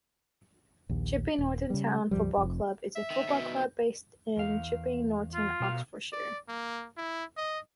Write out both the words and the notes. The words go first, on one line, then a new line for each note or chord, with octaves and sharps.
Chipping Norton Town Football Club is a football club based in Chipping Norton, Oxfordshire.
A#1 D#2
D#1
C#3 G3
C#2 G2 F3 G3
F1 F2
E5
D#3
B2 D#3
E2 F5
F4
B2 C5 F5
D5
A#3
E4
D#5